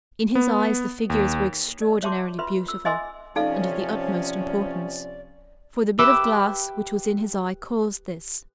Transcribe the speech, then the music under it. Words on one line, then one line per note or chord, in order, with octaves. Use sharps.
In his eyes the figures were extraordinarily beautiful, and of the utmost importance; for the bit of glass which was in his eye caused this.
B3
D#2
D5
C#5 E5 A5 C6 D6
F4 B4 E5 C6
E6
D#5 E5 G#5 C6 D6 E6
C3 F3 C#4 D#4 A4 D5 F5
G4 B4 E5 G5 D6 E6